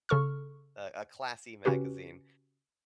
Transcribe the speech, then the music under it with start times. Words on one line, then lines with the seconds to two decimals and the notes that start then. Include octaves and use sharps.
a a classy magazine.
0.09 C#3 A4 C#6 F6
1.65 C#3 C#4 F#4 G4 B4